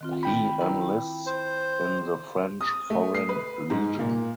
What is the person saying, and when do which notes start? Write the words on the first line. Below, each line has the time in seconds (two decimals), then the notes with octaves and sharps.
He enlists in the French Foreign Legion.
0.01 D#3 C4 F4
0.23 G5 B5
0.61 E4 B4 A#5
1.27 C5
2.61 D#6
2.90 A3
3.14 C7
3.29 B4
3.70 G#2
3.99 A#2